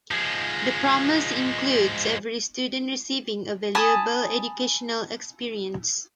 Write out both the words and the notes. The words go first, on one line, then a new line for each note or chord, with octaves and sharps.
The promise includes every student receiving a valuable educational experience.
F3 G#3
G#5 A5 B5 D#6